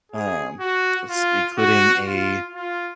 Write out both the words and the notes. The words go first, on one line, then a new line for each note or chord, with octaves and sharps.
um, s including a,
G#4
F#4
F4
F#4
F4
F4